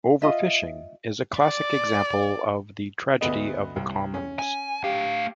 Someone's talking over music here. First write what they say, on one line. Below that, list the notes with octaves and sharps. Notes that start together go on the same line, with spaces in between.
Overfishing is a classic example of the tragedy of the commons.
F4 D#5 E5
D5
D2 B3 D#5
C2
C#4
G#5
A3 G4 F5